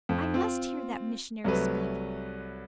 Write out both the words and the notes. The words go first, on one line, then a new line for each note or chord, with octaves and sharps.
I MUST hear that missionary speak.
F2
C4 F4
C2 F#3 A3 B4